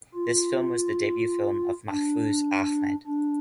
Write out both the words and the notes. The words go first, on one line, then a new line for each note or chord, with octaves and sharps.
This film was the debut film of Mahfuz Ahmed.
F4
D4
D4